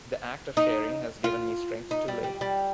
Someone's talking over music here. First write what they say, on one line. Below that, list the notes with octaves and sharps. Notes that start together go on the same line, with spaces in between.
The act of sharing has given me strength to live.
D#4
F4
D#4
G3
G3
G3